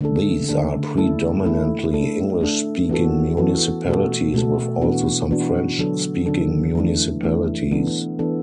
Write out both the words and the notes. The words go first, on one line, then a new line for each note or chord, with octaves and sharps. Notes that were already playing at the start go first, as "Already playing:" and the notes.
These are predominantly English-speaking municipalities, with also some French-speaking municipalities.
D3 A3 D4 A4
D3 A3 D4 A4
A3 E4 A4
A3 E4 A4
A3 D4 A4
A3 D4 A4
E3 B3 F#4 A4
E3 B3 F#4 A4
B2 A3 F#4 A4
B2 A3 F#4 A4
E3 B3 D4 F#4
E3 B3 D4 F#4
D3 F#3 D4 A4
D3 F#3 D4 A4
E3 A3 D4
E3 A3 D4
E3 B3 D4 A4
E3 B3 D4 A4